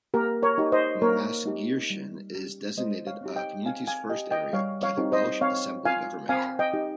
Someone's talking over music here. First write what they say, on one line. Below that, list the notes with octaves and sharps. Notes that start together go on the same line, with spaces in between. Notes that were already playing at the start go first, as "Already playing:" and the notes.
Maesgeirchen is designated a 'Communities First' area by the Welsh Assembly Government.
A#3 G4 A#4
A#4 C#5
D#4 G4
C5 D#5
A#3 A#4 C#5
D#4 G4
G3
C#4 G4
G#3 C5 D#5
C#5 F5
C4 D#4 G4
D#5 G5
C4 F5 G#5
F5 G#5
G4 D#5 G5
D#5 G5
G3 C#5 F5
C#5 F5
C4 D#4 G4
C5 D#5
C4 C#5 F5
F4 F5 G#5
C4 F5 G#5
D#5 G5
D#4 G4